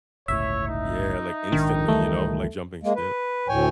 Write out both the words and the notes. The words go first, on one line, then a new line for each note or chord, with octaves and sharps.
Yeah, like, instantly, you know, like jumping ship, uh-huh,
G1 C#2 A2 C#5 E5
D#4
A#1 G#2 D#3 D4
C#2 E3 G3 A3
G#3 A#3
B4
D2 A2 C#5 G5 G#5